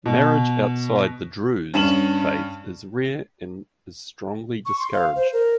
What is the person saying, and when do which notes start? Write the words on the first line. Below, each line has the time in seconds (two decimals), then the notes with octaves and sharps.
Marriage outside the Druze faith is rare and is strongly discouraged.
0.06 B2
1.74 G2 C#4 E7 F#7
4.66 C#6
4.79 C6
4.93 F5
5.16 C5
5.33 A#4